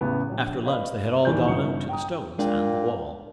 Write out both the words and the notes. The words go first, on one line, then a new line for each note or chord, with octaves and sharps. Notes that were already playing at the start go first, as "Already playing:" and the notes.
After lunch they had all gone out to the stones and the wall.
A1 E2 C#3 B3
A#1 C#5
B4 D5 D#5 F5 B5
D#2 D#3 E3 A#4 D5 G6
G1 C#3 C#7
G5 A#5 D#6
A#2 G#3 D4 G5